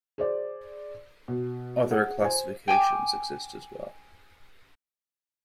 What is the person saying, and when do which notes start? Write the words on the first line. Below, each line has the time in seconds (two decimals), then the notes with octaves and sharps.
Other classifications exist as well.
0.18 G#4 C5 D5
1.28 B2
1.91 G#4 F#5
2.21 C5 G#5
2.68 G5 G#5 D6